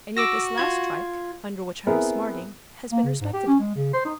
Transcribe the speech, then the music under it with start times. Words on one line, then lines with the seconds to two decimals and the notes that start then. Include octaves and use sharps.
And yet this last strike, under which I am smarting, has been respectable.'
0.17 F#4 D6 E6 A#6
0.58 F4 G#6
1.87 B3 C4 E4 G#4 A#4
2.92 A#3
3.04 C#3
3.21 G#2
3.33 G4
3.47 C#4
3.59 G#3
3.75 C#3
3.93 C5
4.05 D#4